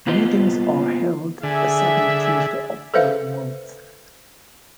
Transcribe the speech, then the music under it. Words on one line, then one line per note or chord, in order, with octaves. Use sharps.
Meetings are held the second Tuesday of every month.
A#3 B3 F4 C5 D#5
D3 G#4 E5 G#5
A4 B4 C5 E5 F5